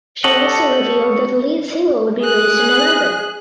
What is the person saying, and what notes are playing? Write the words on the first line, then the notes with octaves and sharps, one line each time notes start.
She also revealed that the lead single would be released in November.
G4 A4 C#5 D#5 F#5
G#4 F#6